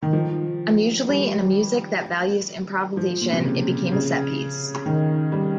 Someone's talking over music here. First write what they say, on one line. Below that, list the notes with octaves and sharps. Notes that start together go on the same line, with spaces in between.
Unusually in a music that values improvisation, it became a set piece.
D#3
F3
G3
F3
A#2
C3
C#3
C#3
D#3
G3